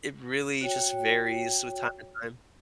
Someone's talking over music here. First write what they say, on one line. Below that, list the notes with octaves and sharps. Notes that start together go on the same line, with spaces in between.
it really just varies with time to time.
F#4 C#5 G5